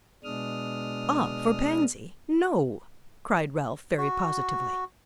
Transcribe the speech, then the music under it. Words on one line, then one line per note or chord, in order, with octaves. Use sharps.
"Ah, for Pansy, no!" cried Ralph very positively.
B2 G#3 D4 D#6 F6
F#4